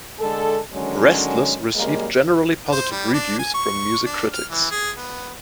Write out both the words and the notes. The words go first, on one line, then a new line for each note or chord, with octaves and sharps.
Restless received generally positive reviews from music critics.
D3 G#3 A4
D3 D#3 F#3 G#3 C#4
F#2 G3 G#3 A#3
C5
G3
D4
G#5
C#6
D4
F6
E3
G#4
B3